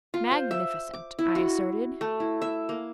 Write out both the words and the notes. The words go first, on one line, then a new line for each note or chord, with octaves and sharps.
"Magnificent!" I asserted.
F4
C5
E5
D6
E4
F#4
A3
E4
E5
A#3